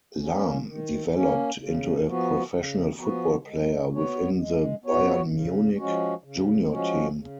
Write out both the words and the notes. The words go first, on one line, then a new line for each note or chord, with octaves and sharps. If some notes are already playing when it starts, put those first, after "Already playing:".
Lahm developed into a professional football player within the Bayern Munich Junior Team.
A#3 C#4
D#3
A#3 C#4
C#3
F3 B3 F#4
C#3
F3 B3 F#4
G#3
B3 F#4 C#5
G#3
B3 F#4 C#5
C#3
F3 G#3 C#4 F#4
C#3
F3 G#3 C#4 F#4
C#3